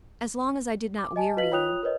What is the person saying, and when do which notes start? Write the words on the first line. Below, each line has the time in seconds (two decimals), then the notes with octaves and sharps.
"As long as I did not weary you."
0.98 D6
1.16 D#5 G#5 A5
1.37 F#4 B4 D#5 F5 B6 F#7
1.52 F4 C#5 G5 D#6 F#6 F7
1.83 A#4 B4 C#5 D#5